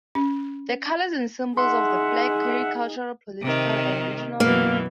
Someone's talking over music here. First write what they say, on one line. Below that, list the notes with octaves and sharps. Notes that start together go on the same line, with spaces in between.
The colors and symbols of the flag carry cultural, political, and regional meanings.
C#4
D#4 G#4 E5 F#5 C6
C3 D#3
F#2 B2 E3 A#3